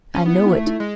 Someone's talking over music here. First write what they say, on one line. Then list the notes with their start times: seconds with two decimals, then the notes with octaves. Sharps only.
I know it.
0.15 C#4
0.26 B3 E4
0.46 E4
0.53 A3
0.66 E4
0.80 G#3